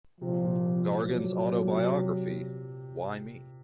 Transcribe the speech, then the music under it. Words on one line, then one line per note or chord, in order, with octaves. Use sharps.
Gargan's autobiography, Why Me?
C3 F3
A#2
A#2
F#3
A#2
C3